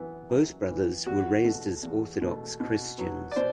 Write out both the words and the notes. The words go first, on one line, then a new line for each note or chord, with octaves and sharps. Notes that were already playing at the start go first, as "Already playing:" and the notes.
Both brothers were raised as Orthodox Christians.
Already playing: F#2 E3 B3
F#2
E3 B3
E2 F#4
B2 A3
E2
B2 A3
B2
F#3 B3
D5
B2 C5